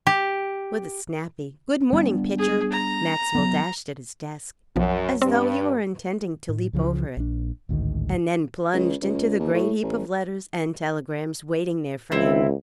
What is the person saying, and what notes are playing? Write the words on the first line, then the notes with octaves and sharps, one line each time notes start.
With a snappy "Good-morning, Pitcher," Maxwell dashed at his desk as though he were intending to leap over it, and then plunged into the great heap of letters and telegrams waiting there for him.
G4
G3 B3 D4
G#4
A#5
F#3 B3
B1 F#2 F3
G2 C4
A2
C#2 C#3 F3
A#1 D4
A1 D2 G#2 D#3
C#2
C#2
D#2
A2
A1
C#2 C4 E4